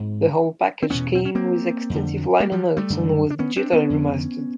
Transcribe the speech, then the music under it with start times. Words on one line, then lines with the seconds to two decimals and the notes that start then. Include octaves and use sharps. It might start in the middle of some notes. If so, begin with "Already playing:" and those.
The whole package came with extensive liner notes and was digitally remastered.
Already playing: G#2 C4
0.83 C4
0.90 E2 B2 B3 C#4
1.15 C4
1.25 C#4
1.35 A#3 C4
1.90 F2 D3
2.40 G#3 A#3
2.52 F3 G3
2.77 G3 A3
2.90 F#2 D3
3.30 D4
3.39 B3 C#4
3.56 C4 D4
3.72 B3 C#4
3.90 F2 D3